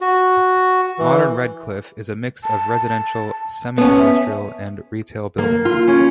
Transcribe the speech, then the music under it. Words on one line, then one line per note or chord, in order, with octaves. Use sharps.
Modern Redcliffe is a mix of residential, semi-industrial and retail buildings.
F#4
E3
A5
B3 C#4 A5
E5
A#3
F4
C#4